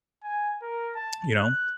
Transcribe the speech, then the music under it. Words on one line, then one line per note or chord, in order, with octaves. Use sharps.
you know,
G#5
A#4
A5
F#6